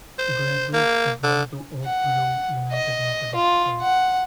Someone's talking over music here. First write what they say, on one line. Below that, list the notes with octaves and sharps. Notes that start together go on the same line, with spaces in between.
Great Bridge is home to Oak Grove United Methodist Church.
C5
A#3
D3
F#5
D#5
F4
F#5